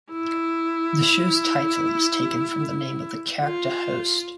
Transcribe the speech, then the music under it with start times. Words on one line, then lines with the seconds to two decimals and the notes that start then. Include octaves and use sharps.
The show's title is taken from the name of the character host.
0.12 E4
3.43 F4